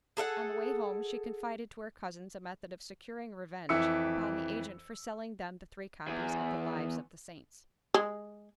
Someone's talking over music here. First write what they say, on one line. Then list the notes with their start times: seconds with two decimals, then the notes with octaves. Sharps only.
On the way home she confided to her cousins a method of securing revenge upon the agent for selling them the three copies of the "Lives of the Saints."
0.17 G#4 A4 E5 F#5
3.69 F2 E3 E5 E6 C#7
6.08 E2
7.94 G#3